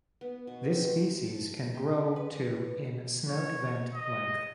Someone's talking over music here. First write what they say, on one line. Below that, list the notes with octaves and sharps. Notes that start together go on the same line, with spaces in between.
This species can grow to in snout–vent length.
B3
B2
C4
A5
G4
B4
C#5
D#5